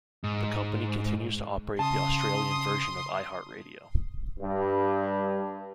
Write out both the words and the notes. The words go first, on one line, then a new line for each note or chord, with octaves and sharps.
The company continues to operate the Australian version of iHeartRadio.
G#2
C#3 A5 C6 D#6
G2